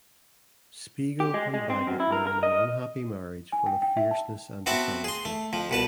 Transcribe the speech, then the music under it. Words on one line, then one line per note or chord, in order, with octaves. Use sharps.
Spiegel and Baggett were in an unhappy marriage full of fierceness and dishonesty.
G4
G#3
G#3
C4
F#2
E4
A#4
A#4
D#5
G#5
G5
G5
E5
A5
B3 C4 F#4 E5 A5
G#4 C6
A3
F2 F3
C2 B2 B4 A5